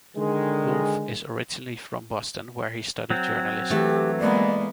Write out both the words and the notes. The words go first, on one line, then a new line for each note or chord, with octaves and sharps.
Wolf is originally from Boston where he studied journalism.
D3 D#3 G#3
F#3 C4
E3 A3 G4
G#3 A#3 B3 D5